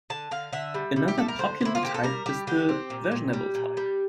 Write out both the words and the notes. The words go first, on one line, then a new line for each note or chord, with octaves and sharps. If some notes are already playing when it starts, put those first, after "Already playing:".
Another popular type is the versionable type.
D3 A5
D3 F5
D3 E5
G3
G3
G4
G3 A4
A#4
D3 C5
D3 E4
F4
A#3 G4
A4
G3 A#4
G3 G4
D3 G4
C4
A#2
A#2
G3
A#2
G3